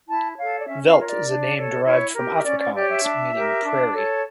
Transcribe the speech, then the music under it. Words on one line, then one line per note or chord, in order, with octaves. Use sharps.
Veldt is a name derived from Afrikaans, meaning "prairie".
E4 A5
A4 C#5 F5
D5
C#4 E5
F5
F4 A#4 C#5
D5
D4
A4 C#5
E4 C#5
G4 A#4
E5
C#4 D5
D5
G4 C#5 D5
E5
D4
G4 A#4
D4
A4 C#5